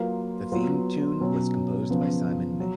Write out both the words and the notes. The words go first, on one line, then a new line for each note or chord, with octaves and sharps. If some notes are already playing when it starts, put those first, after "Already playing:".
The theme tune was composed by Simon May.
Already playing: F#3 A#3 F4 B4 F5
F#3 B3 F4 B4
B2 F#3 C#4
C#3 F3 B3
F#3